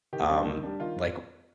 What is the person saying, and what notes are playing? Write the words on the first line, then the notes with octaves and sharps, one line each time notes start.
um, like,
D#3 G4
G3 D4
D#3
G3 D4
D#3 F4